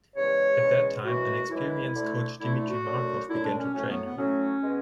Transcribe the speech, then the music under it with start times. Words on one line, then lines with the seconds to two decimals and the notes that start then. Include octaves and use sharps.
At that time an experienced coach Dmitry Markov began to train her.
0.15 E2 C#3 G#3 C#5
0.59 E2 C#3 G#3
1.04 F#2 E3 G#3 F#4
1.49 F#2 E3 G#3 E4
1.94 D2 D3 A3
2.39 D2 D3 A3 E4
2.54 E4
2.68 F#4
2.83 F#2 D3 A3
3.28 F#2 D3 A3 E4
3.43 D4
3.58 C#4
3.73 A2 F#3 A3 C#4
3.88 B3
4.02 B3
4.17 A2 F#3 A3 C#4
4.62 B2 G#3 B3